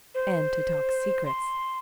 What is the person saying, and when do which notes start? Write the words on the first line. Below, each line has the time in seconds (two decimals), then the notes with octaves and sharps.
"And to talk secrets."
0.15 C5
1.26 C6